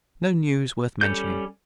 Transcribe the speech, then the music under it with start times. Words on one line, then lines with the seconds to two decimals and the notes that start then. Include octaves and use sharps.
No news worth mentioning.
1.01 G3 C#4 A4 G6